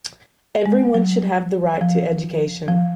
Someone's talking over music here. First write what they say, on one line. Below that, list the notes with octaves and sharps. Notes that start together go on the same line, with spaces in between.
Everyone should have the right to education.
G#3
F#3
F3
F3